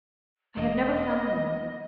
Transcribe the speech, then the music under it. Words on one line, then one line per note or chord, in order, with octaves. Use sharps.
I have never found one.
E1 D#5